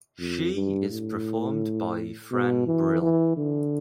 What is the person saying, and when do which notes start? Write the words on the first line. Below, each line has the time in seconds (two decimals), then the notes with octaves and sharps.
She is performed by Fran Brill.
0.19 F2
0.55 G2
0.90 A2
2.31 B2
2.67 E3
3.02 E3
3.37 D3